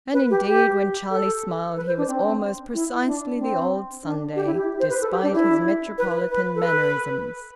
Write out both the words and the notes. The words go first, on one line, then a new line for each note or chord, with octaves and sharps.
And indeed, when Charlie smiled, he was almost precisely the old Sunday, despite his metropolitan mannerisms.
B4
G4
G4
A4
B4
C5
D4
C4
E4
D4
C4
D4
G4
E4
G4
C5
B4
A4
G4
D4
E4
B4
B4
B4
A4
B4